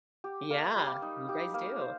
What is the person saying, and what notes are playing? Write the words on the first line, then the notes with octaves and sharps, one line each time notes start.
Yeah, you guys do.
G4
A#3
G3
D#4
G4
A#3
C5